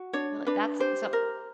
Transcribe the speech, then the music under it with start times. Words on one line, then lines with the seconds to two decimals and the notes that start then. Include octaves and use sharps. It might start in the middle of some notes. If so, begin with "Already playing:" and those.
Really? That's so
Already playing: F#4
0.13 D4 C#5
0.47 D4 B4
0.80 G4 C5
1.13 A#4